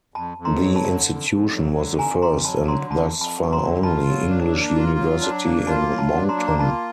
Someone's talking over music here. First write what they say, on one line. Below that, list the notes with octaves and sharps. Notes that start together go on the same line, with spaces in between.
The institution was the first, and thus far only, English university in Moncton.
F2 A5 B5
F2
A#5 C6
F#3
A5 B5
D3
F2
F2
F#3
D3
F2 G#5 A#5
F2 A#5 C6
F#3 A5 B5
D3 A#5 C6
F2 A5 B5
F2
A5 B5
F#3
A#5 C6
D3
F4 A5 B5
F#3
D4
A#3
F4
F#3
D4
A#3
F4 A5 B5
F#3
A5 B5
D4
A#5 C6
A#3
A#5
F4 A5 B5